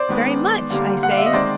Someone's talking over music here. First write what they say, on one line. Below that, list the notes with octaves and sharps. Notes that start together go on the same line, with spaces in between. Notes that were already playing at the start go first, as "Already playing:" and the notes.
"Very much," I say.
Already playing: C5 D5
D#3 G#3 B3
D3 G3 A#3
F#5
F5
E5
D#5
D#3 G#3 C4 C5 D5